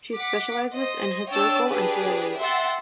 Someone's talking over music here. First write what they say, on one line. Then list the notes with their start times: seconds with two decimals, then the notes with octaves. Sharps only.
She specializes in historical and thrillers.
0.15 F#5 D6 B6
0.74 C5 D#5
1.31 D4 C#5 G5 E6 A6
1.67 D4 G4 G#4 B4
2.39 E5 F#5 G5 C6 E6 A6